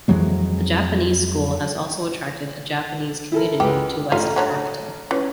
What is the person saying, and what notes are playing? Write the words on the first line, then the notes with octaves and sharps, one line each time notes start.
A Japanese school has also attracted a Japanese community to West Acton.
F2 E3 F#3 G#3
E4 A4 A#4
C#2 G4 B4
A1 F4 E5 F5
D3 F#3 A3
E3 C#4